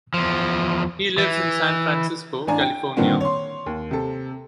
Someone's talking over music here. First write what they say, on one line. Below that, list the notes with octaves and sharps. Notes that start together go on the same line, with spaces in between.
He lives in San Francisco, California.
E2 F3
E3
A1 D4 G#5 A#5
G5
G2 A#2 D3 D#3 C4
C#5 C6
D#2
C3 A4